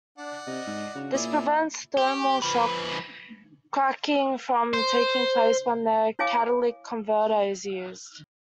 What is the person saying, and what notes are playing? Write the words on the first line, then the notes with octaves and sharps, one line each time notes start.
This prevents thermal shock cracking from taking place when the catalytic converter is used.
D4 D5 F#5
C3 D#5
G#2
C#3 F#4
A#2 C#4 E4 G#4 D5
G4
F3 B4
C5
E4 C#5 F5 G#5 D6 D#6